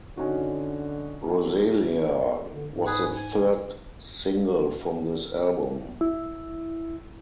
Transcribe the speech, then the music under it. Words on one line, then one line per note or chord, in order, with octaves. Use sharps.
"Rosealia" was the third single from this album.
D3 C#4 D#4 F#4
D3
G#2
G#4 B4
G#5
E4